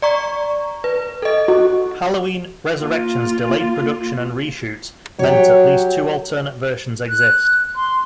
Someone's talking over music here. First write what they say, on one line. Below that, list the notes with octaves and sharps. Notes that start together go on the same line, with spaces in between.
Halloween: Resurrection's delayed production and reshoots meant at least two alternate versions exist.
D5 A#5 C#6
B4
A4 D#5
F#4
A#3 F4
F#3 G4 C#5
F#6
C6